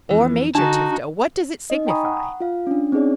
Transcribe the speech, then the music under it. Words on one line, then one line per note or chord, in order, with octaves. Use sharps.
"Or Major Tifto;--what does it signify?"
F2 E3
D3 D4 D#4 F#4 A5
D#4 D#5
G5 G#5 A#5 B5 C#6 D#6
F#5
F4 F5
C#4 D4
C4 C#4 D#4 G#4 C#5 D5